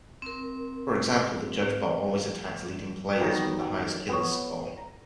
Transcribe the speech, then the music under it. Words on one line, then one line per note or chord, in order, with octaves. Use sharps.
For example, the Judge bot always attacks leading players with the highest kills score.
C4 A#4
D#3 F#3 G3 B3
B3 C#5
A#5